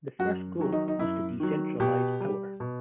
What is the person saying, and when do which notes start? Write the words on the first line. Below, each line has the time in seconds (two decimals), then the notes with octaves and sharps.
The first goal was to decentralise power.
0.19 F#2 F#4
0.60 D#3 F#3
0.73 D#4
0.88 D#4
0.99 F#2 E4
1.40 D#3 F#3
1.80 B2 G4
2.20 G3
2.60 B2